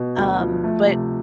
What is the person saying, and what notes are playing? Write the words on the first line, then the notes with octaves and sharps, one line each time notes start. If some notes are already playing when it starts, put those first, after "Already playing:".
Um, but
Already playing: B2
D2
F3
A3
C3